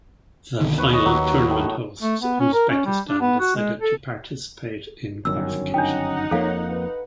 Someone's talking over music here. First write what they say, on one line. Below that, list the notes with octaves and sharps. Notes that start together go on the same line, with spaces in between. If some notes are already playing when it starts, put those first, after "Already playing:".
The final tournament hosts Uzbekistan decided to participate in qualification.
B1 D3 D#3
D#2 B4 C#5
C#5 D#5 C#6
D#2 F#3
A2
A3
B3
C#4
A#4
C#4
G3
D4
B3
F#4
G#3
A4
G1 F#2 D#3 C#4 E6
D4 D#4 F#5 G5
F2 F3 A#3 A4 C#5 F5
B4